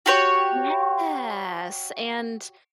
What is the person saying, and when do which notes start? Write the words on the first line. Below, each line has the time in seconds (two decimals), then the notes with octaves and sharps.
Yes, and
0.06 F#4 G4 C#5